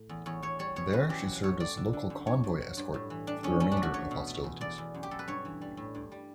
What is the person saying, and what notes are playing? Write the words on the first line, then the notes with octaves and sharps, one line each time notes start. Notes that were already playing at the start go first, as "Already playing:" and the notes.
There she served as local convoy escort for the remainder of hostilities.
Already playing: A2
E2
E2 C#5
E2 C#5
G3 C#5
B2 C#5
F#2 B4
E3 G4
F#3
A3 C#5
G3 D5
D3
D3
F#2
G2 C#5
G2
F#3
G2
A2
E3
G3 D4
E2 C#4
A3 C#4
D4
A3
F#4
A3 C#5
B2
A3
E2
E2 D5
E2
F#2
G4
F#2 A4
B4
G2 C#5
E3
G3
A2
G2
G3